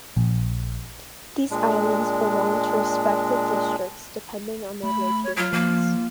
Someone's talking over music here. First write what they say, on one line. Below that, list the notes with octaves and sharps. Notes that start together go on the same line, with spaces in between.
These islands belong to respective districts depending on their locations.
A#1
A#2 G#3 D4
A3 B5
C#5
F#3 F4
F3 A#3